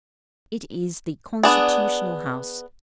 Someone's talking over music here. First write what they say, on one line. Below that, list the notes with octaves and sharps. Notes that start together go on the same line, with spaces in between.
It is the constitutional House.
B3 D4 G#4